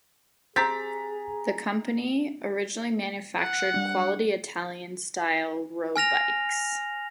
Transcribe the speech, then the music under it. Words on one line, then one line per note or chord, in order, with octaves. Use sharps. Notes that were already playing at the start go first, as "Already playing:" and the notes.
The company originally manufactured quality Italian style road bikes.
C4 G4 G#4 A#5 A6 B6
F#5
G3 D4
G#5 F6 A#6 F7